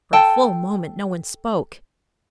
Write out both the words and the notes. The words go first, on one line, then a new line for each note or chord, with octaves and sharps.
For a full moment no one spoke.
A4 G5 A5